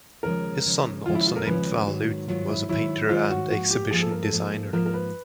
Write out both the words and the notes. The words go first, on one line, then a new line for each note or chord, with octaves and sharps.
His son, also named Val Lewton, was a painter and exhibition designer.
D#2 C#3 F3 G#3 A#4
D#2 C#3 F3 G#3
D#2 C#3 F3 G#3 F4
E4
F4
A#4
D#2 C#3 F3 G#3 B4
G#2 D#3 F#3
G#2 D#3 F#3 F4
E4
G#2 D#3 F#3 E4
G#2 D#3 F#3 F4
F#4
G#2 F3 A#3 F#4
G4
G#2 F3 A#3 G#4
A4
A#4
A4
G#2 F3 A#3 A4
G#2 F3 A#3 A#4
A#4
B4